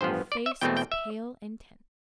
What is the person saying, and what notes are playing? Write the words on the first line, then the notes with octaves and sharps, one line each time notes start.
Her face was pale and tense.
A1 G2 F3 B3 C5
D5
E5
E2 B2 A3 C4 G5
G5
E5